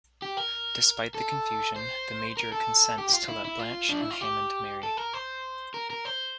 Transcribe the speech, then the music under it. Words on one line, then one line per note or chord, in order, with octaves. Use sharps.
Despite the confusion, the Major consents to let Blanche and Hammond marry.
G4
A#4
A4
C5
A#4
A4
G4
G4
F4
E4
E4
F4
D4
E4
F4
G4
A4
A#4
C5
A#4
A#4
C5